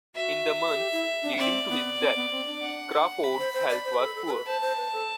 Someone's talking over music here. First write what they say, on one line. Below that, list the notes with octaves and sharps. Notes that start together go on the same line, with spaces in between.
In the months leading to his death, Crawford's health was poor.
F#4 E5
A4
G4
E4
D4
B3
C4 D5
B3
C4
B3
C4
D4
F#5
B5
C5
C5
D5
C5
B4
A4
A4
A4
B4
C5 A5
C5
B4
A4